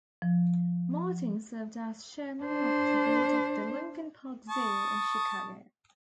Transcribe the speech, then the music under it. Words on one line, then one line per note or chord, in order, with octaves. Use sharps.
Martin served as Chairman of the Board of the Lincoln Park Zoo in Chicago.
F3
D4 C5
A5 C#6 D#6